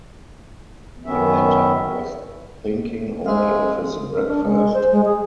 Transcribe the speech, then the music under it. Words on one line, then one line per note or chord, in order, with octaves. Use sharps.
The latter was thinking only of his breakfast.
F#2 D#3 B3 C#4 E5
G#3 C5 E5 F5
A#4
D4
G#3
C5
G#3
G#4